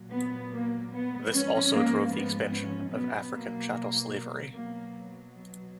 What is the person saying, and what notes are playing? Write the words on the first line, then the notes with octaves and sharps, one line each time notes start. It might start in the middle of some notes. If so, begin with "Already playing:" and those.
This also drove the expansion of African chattel slavery.
Already playing: A#2 F#3
B3
A#3
B3
G#2 F3 G#3 C#4
A#3
B3
C#4
B2 F#3 B3
A#3
B2 F#3 A#3